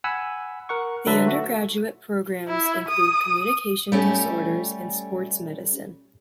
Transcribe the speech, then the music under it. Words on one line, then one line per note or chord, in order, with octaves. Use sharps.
The undergraduate programs include Communication Disorders and Sports Medicine.
F#5 G#5 B5 E6
A#4 F#5 C#6
D3 F#3 B4 E5 A5 B5
A3 F#4
E4
D#6
G3 A3 C#4